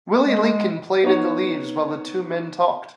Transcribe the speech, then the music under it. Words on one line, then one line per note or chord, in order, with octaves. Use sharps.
Willie Lincoln played in the leaves while the two men talked.
G#3
B3 D#4 C#5